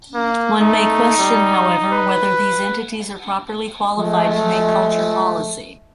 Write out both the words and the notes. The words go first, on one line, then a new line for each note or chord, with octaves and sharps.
One may question however whether these entities are properly qualified to make culture policy.
A#3
A3 D#4
G3
B4
F3 G#3 A3